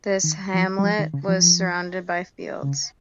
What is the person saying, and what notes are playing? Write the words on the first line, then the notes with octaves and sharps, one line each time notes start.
This hamlet was surrounded by fields.
D#3
F3
G3
F3
D#3
C#3
F3
C#3